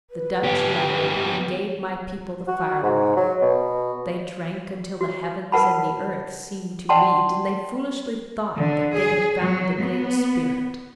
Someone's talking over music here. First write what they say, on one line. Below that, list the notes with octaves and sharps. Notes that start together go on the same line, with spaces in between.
The Dutch landed, and gave my people the fire-water; they drank until the heavens and the earth seemed to meet, and they foolishly thought they had found the Great Spirit.
B4
B3 G4
F#4
G#2
F#3
B2
F#4
A#4 B4 F#5 A5 B5
D5 F#5 G5 A5 C6
D3
G#4
F#3
B3